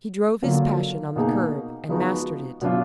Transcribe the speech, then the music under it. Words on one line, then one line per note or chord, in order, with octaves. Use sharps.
He drove his passion on the curb, and mastered it.
D3 F#3 A#3 F4
B2 A#3 D#4 G#4
F3 G#3 B3 D#4 F#4
B2 F#3 D4 F4